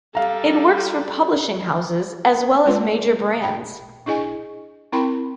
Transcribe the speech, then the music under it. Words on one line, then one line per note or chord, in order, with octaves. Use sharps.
It works for publishing houses as well as major brands.
G3 A4 F5 A#5
G#3 F4 B4 C6
G5 B5
D4 E4 G#4 D#5 G#5
C4 E4 A#4 G5 B5 C6